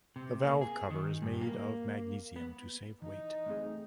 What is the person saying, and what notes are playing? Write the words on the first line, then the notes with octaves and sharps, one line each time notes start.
The valve cover is made of magnesium to save weight.
C3
A#3
G#4
D#3
G2
A#3
B3
E3 D#4
A3 C4 G#4